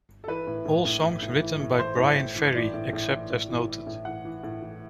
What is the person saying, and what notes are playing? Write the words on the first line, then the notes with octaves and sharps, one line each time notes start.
All songs written by Bryan Ferry except as noted.
A4
E3 B4
A2
A2
A2
E3
A2
E3
A2
E3 C5
A2
E3
E3
E3 D5
A2
A2
E3
A2
E3
E3
A2
E3 F#5
E3
A2
E3